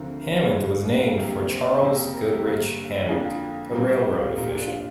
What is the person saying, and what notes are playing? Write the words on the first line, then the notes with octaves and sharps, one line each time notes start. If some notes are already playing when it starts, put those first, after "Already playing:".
Hammond was named for Charles Goodrich Hammond, a railroad official.
Already playing: D2 D3 F3 C4 A#4
A#4
G4
D2 D3 F3 F4
D4
F4
D2 C3 A#3 G4
C5
D5
C5
F2 C3 A#3
A#4
G4
G2 D3 A#3
F2 D3 F3 A#3 D4
F4
A#2 G3 C4 A#4
C5
G4
F4
A#2 A#3 G4
D4
F4